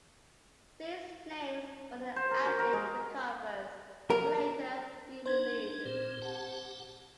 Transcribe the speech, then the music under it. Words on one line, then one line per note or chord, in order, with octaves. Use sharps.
These names were then added to the covers for later re-releases.
C5
A#4
F#4
A#4
G#3
A#4
D4 D#4 C5 G#6
A#2 C4
G4 F#5 A5